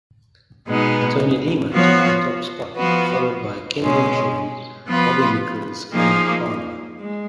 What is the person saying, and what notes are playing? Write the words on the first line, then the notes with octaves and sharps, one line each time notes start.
Tony Lema took the top spot, followed by Ken Venturi, Bobby Nichols, and Palmer.
B2 G#3 B3 D#4
F3 B3 F#4 C#5
F3 B3 F#4
B2 G#3 C#4
F3 B3 F4 B4
F3 A#3 D#4 G#4
G#3